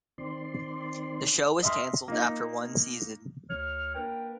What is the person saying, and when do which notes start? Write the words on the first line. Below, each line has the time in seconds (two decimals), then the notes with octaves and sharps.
The show was canceled after one season.
0.18 D#3 C4 D5 C6
1.63 D#5 E5 C6 D#6 F6
2.08 A#3 D#4
3.49 D2 C#5 F6
3.94 A#3 D4 A#4 B4 G5